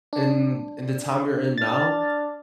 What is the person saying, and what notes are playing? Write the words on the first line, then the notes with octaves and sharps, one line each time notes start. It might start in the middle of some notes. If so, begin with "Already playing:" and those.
in in the time we're in now,
D4
D4 F6 A6